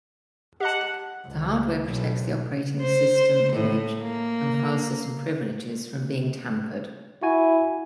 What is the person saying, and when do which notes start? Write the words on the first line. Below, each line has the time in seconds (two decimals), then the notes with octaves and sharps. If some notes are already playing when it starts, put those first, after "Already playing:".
The hardware protects the operating system image and file system privileges from being tampered.
0.60 G4 D#5 F#5 A5
1.27 C#2
1.85 B1
2.82 C5
3.52 A2
4.02 A#3
7.23 E4 F#4 G#5